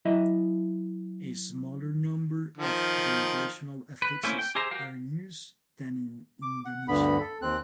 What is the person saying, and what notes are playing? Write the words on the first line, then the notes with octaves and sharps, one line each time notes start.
A smaller number of derivational affixes are used than in Indonesian.
F#3 E4 D#5 E5
D#3 F3
B4
A3 A#3 C4 C#4 E4
G5
G4 G#4 C5 E5 A#5
F#4 G4 A#4 F5
D6
F#5
D2 G2 D3 B3 B5
A4
D#2 C4 F#6